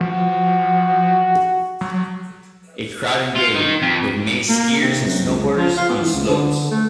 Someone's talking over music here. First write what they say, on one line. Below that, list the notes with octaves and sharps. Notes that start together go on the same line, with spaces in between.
A crowded day with many skiers and snowboarders on the slopes.
F3 F#4
F#3
F4
D#3
F2
A#3
C3
F#2
C#2
F3
F4
B3
E3
C#2
D3
A3